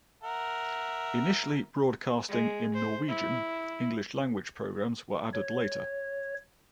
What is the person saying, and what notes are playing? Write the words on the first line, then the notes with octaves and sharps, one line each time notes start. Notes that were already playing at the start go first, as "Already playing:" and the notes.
Initially broadcasting in Norwegian, English-language programs were added later.
A#4 E5 F#5
G#3
C5
E4
C#5